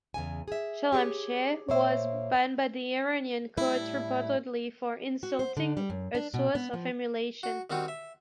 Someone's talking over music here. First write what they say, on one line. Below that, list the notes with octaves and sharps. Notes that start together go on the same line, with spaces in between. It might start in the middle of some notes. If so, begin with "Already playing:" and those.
"Shalamcheh" was banned by the Iranian court reportedly for "insulting a source of emulation".
E2 C#3 G#5
G#4 E5
G4 G#4 C#5
A#2 A#3 C5 C#5 E5
A2 G3 E4
F#4
C5
D3
G3
F#2
D4
B2
B3
F3
F#4
D#3 G3 C4 D#4 F#4
E5